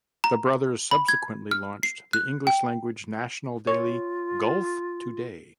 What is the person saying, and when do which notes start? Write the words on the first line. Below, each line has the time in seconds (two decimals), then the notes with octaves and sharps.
The brothers subsequently launched the English language national daily "Gulf Today".
0.24 A#5
0.91 B5
1.09 G#6
1.51 F6
1.83 C7
2.13 F#6
2.47 G5
3.67 F4 C#5